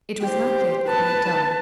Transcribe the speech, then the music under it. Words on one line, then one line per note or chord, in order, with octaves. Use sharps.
It was not yet quite dark.
G4 C5
B4 A5